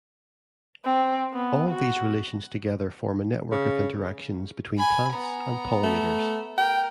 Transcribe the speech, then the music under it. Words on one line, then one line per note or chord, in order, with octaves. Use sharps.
All these relations together form a network of interactions between plants and pollinators.
C4
B3
F#4
C#3
G#5 B5
B3 A#5
A3
A#4 G5